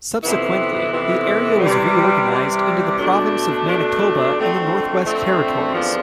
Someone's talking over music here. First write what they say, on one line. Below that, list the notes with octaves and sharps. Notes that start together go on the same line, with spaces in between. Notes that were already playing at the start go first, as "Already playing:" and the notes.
Subsequently, the area was re-organized into the province of Manitoba and the Northwest Territories.
F2 C3 E3 B3 E4
F2 C3 E3 B3 E4
C3 E3 G3
C3 E3 G3
B2 A3 D4
B2 A3 D4
F2 D3 A3 C4
F2 D3 A3 C4
E2 D3 F3 B3 D4